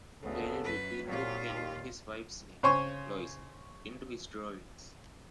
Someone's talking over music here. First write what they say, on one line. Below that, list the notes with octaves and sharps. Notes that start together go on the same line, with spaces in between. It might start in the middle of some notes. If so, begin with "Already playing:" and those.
Haynie regularly penned his wife's name, Lois, into his drawings.
D2 C#3 B3 A4
F#2 B4
C2 A#2 F#3 F4
D#2
C#3 C5 C#5 G#5 C#6